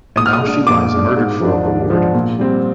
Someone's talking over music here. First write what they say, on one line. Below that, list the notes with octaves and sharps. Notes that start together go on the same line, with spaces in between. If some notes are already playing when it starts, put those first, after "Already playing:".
And now she lies murdered for a reward!
A#2 D#6
F6
D#6
G#3 D4
A#2 D6
G#3 D4
G#2
F3 G#3 D4
G#2
F3 G#3 D4
A#2
G3 C4